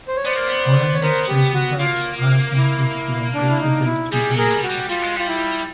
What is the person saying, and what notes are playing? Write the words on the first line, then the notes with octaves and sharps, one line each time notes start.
All administration tasks are accomplished through a browser-based user interface.
C5
C#5
B3 C5 D5
A#3
B3
C#5
B3 A#4 C5
G4
F#4
A#3 F4
E4
D4
E4
D#4
E4
G3 G#4
F#3
G#4 A#4
G3
F#4
G3
G3 F4
G#3
G3 F4
E4